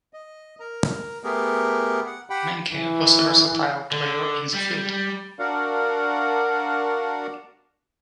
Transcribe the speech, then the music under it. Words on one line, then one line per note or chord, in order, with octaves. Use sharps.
Menke was a versatile player in the field.
D#5
A#4 A#5
A3 B3 G4 G#4 A#4
F#5
G4 F#5 G5 B5
E3
D3
G3
D4 F#4 A#4 D5 F5 F#5